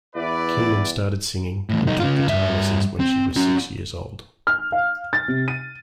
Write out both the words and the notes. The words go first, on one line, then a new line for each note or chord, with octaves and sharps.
Keenan started singing and took guitar lessons when she was six years old.
E2 E4 B4 D5
E2 A2
C2 D#4
C#3 F4
G2 E5
C4
C#4 F#4
F6
F5
A6
C3
D#7